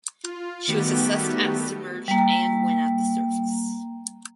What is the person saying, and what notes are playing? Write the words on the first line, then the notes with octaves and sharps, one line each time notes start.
She was assessed at submerged and when at the surface.
F4
D#3 G3 A3 B3 F#4 G4
G3 A#3